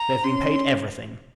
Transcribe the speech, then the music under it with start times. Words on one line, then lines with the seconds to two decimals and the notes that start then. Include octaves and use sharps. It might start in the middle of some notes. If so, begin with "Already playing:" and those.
They have been paid every thing.
Already playing: A#5
0.24 C#4 C6